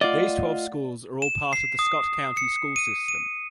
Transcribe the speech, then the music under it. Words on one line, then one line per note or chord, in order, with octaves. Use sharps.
These twelve schools are all part of the Scott County School system.
A3 F4 D5 D#5 F5 F#5
E7
C7
D#6
C#7
D#7
D#7